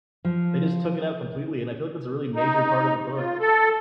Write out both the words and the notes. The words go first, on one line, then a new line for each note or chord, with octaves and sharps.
they just took it out completely, and I feel like that's a really major part of the book.
F3
D#4
F4
A4